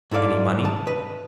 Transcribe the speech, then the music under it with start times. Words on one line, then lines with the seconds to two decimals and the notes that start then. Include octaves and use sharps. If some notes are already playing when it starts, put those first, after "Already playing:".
"Any money?"
0.11 G#2 E4 A4 D5 F5
0.65 A5
0.87 B4 D#5